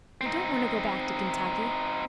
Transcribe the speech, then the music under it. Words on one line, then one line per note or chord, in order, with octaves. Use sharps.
I don't want to go back to Kentucky!
C4 D#4